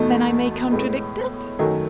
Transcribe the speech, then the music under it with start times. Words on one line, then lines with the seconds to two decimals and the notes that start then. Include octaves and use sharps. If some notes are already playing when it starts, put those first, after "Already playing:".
"Then I may contradict it."
Already playing: E2 B2 A3 D#4
0.72 A2 G#3 B3
1.59 F#2 D#3 F#3 A3